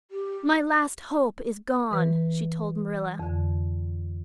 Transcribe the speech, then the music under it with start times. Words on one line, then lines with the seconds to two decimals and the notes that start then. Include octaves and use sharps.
"My last hope is gone," she told Marilla.
0.11 G4
1.91 E3 B4
3.19 F2 D3